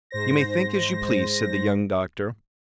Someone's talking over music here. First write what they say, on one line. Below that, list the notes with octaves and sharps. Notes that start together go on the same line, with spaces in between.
"You may think as you please," said the young doctor.
G#2 C5 A#6